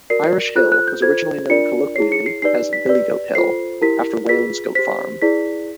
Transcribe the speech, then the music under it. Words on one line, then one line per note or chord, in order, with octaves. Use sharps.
Irish Hill was originally known colloquially as "Billy Goat Hill" after Whalen's goat farm.
F#4 A#4 D5 C7
F4 A4 C5 F#6
F#6
G6
F4 A4 C5 G#6
D4 F4 A#4 D5 C#7
E4 G#4 C#5 C7
C#7
C7
D#4 G4 B4 D5 C7
B6
G4 B4 D5
F4 A4 C5 C7
E4 G4 A#4 B6
F4 G#4 B4 B6
G4 C5 B6
E4 G#4 B4 D5 B6